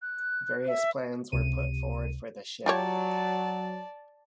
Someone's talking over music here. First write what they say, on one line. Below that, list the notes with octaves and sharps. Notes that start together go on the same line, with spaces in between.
Various plans were put forward for the ship.
F#6
E5
C#2 C3 D#7
F#3 F4 G4 C#5 D5 A5